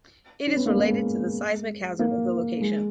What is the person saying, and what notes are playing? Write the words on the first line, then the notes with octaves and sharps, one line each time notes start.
It is related to the seismic hazard of the location.
C#4
B3
A#3
G#3
A#3
G#3